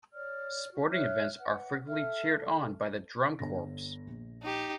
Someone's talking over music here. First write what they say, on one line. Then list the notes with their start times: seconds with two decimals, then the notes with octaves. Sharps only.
Sporting events are frequently cheered on by the Drum Corps.
0.14 C#5 D5 F6
0.72 F#4
0.90 C#5 E5 F6 F#6
1.40 B4 F#5
1.88 A4 E5 F6
2.35 A4
3.39 G1 D3 A#6
4.07 A#1
4.42 D#4 G4